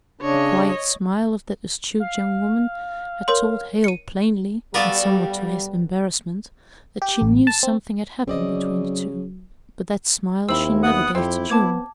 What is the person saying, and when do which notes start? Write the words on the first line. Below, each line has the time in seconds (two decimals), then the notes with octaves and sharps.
The quiet smile of that astute young woman had told Hale plainly, and somewhat to his embarrassment, that she knew something had happened between the two, but that smile she never gave to June.
0.21 C#3 D4 C#5 D#5
2.00 F5
3.28 A#4 C#5 C6
3.84 C#7 D#7
4.74 G3 B3 F#4 A4 A#4 D5 F5
7.02 G4
7.21 A1
7.47 A5
7.63 C4
8.28 C#3 F#3 C4 D5 D#5
10.49 D#2 C4 E4 E6 F#7
10.83 B3 F#5 D#6
11.15 F2 C4 E4 G4
11.50 B3 A5 D6 G#6